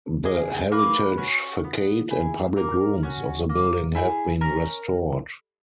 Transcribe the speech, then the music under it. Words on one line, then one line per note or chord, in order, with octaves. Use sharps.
The heritage facade and public rooms of the building have been restored.
G#4 D#5
A#3 B4
C#4 F#4
B3
E4 G#4
A#3 A#4
C#4 F#4
A#3
E4 G#4
C#4 A#4